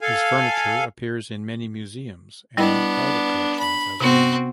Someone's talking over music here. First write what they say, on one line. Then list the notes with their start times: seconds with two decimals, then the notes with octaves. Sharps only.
His furniture appears in many museums and private collections as well.
0.01 A4 F5 G#5
2.57 G3 B3 D4 E4 D#5
3.59 B5
4.00 C3 B3 C4 F#4